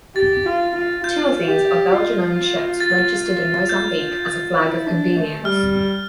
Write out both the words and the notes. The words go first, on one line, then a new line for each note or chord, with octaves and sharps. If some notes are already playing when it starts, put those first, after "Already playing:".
Two of these are Belgian-owned ships registered in Mozambique as a flag of convenience.
G4 A6
F4
F4
F4 G6
G4
F4
A6
G6
E4
D4
A3
G3 F6